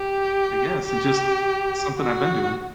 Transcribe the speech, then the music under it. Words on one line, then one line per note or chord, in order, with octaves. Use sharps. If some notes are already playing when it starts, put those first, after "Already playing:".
I guess it's just, it's something I've been doing.
Already playing: G4
G4
F#4